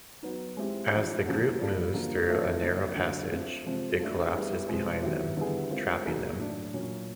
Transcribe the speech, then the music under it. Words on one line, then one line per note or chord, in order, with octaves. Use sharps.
As the group moves through a narrow passage, it collapses behind them, trapping them.
F#3 B3 D#4
G#3 C4 E4 G4
F3 A3 D4
C#3 F3 A#3 C#4 F#4
G3 A#3 D4 F4 A4
C#3 F3 A#3 D4 F#4
E3 A3 C4 F4
C#3 F#3 A#3 D4
D3 F#3 A3
A3 C4 F4
C3 F3 G#3 C4
A3 D4 F4 A4
G3 B3 E4 G#4
B2 G#3 C4
D#3 F#3 B3 E4 G4
D3 G3 B3 E4 G#4
G#3 C4 F4 A#4
B2 F#3 A#3 D#4 G#4
A2 F#3 A3 D4
A#2 F#3 A#3 C#4